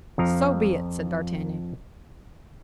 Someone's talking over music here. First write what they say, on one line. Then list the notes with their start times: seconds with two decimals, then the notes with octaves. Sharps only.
"So be it," said d'Artagnan.
0.18 F2 F3 A#5